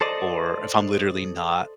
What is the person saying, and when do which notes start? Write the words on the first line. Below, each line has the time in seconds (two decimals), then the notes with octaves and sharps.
or if I'm literally not
0.01 A4 C5 D5 D#5